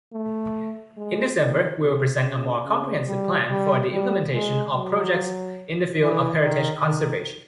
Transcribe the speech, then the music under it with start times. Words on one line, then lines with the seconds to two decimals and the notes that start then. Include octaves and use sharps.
In December, we will present a more comprehensive plan for the implementation of projects in the field of heritage conservation.
0.13 A3
0.97 G#3
1.39 D#3
1.81 C3
2.23 C#3
2.65 C#3
3.07 G3
3.49 G3
3.91 G3
4.33 G#3
4.75 F#3
6.01 E3
6.43 D#3
6.84 D#3